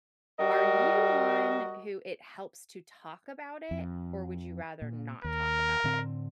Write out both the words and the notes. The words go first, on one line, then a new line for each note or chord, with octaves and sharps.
are you one who it helps to talk about it, or would you rather not talk about it?
G3 F#4 A#4 D#5
F2
A#2
D#2 A#4
A2 D3 C4